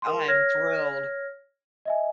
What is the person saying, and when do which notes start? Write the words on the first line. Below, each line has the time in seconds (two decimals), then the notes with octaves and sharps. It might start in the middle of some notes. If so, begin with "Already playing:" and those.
I am thrilled.
0.02 A#4 C6
0.28 C#5 F6 G#6 A#6
1.85 D#5 E5 G#5